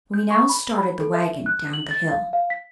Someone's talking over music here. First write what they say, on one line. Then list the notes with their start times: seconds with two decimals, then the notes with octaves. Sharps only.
We now started the wagon down the hill.
0.14 G6
0.31 C#6
0.49 B5
0.78 B5
1.00 A4
1.14 E5
1.46 F#6
1.73 F#7
1.91 A6
2.11 F5
2.33 F5
2.50 B6